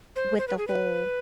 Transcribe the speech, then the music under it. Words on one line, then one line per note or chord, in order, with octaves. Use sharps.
with the whole
C5
C5
B4
G#4
B4